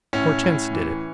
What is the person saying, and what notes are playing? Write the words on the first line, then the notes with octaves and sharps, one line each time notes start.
"Hortense did it."
A2 C#4
A2
E3